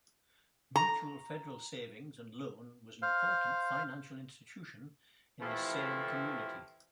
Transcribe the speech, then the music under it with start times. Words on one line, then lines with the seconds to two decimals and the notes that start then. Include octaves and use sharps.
Mutual Federal Savings and Loan was an important financial institution in the Salem community.
0.76 A#5
3.02 C5 F5 F6
5.41 A2 C3 E3 F3 A3 E4